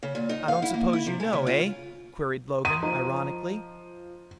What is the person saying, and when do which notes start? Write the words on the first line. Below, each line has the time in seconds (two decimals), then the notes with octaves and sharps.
"I don't suppose you know, eh?" queried Logan ironically.
0.03 C#3
0.15 A#2
0.29 D#4
0.48 F5
0.62 E4
0.74 A#3
0.93 E4
1.06 C3
1.20 G#3
1.33 C#3
1.47 F4
2.65 A#5 C6 D#6 D#7
2.83 F3 D#5 A#5